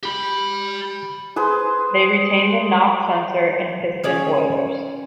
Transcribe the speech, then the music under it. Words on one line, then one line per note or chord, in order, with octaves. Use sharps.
They retained the knock sensor and piston oilers.
G4 B5
G#4 B4 C5 C6
C#4 G#4 D5